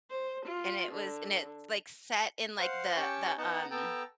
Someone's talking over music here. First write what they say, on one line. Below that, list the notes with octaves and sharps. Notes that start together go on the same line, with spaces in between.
And it was and it's, like, set in, like, the the, um
C5
F4
D3
C5 F5 F#5
C#4 G4 C#5 G5 A5 C#6
B3 D#4 D#5 F#5 A5 A#5
B3 A4 G5 A5 A#5